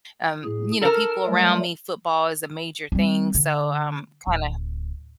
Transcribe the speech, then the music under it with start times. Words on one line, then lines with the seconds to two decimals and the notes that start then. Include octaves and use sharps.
um, you know, people around me football is a major thing, so I'm kinda
0.44 A2 G#4
0.81 A4 A#4 A5 F6
1.27 F#3 G3 A3
2.92 G3 C4
3.35 D3
4.27 D1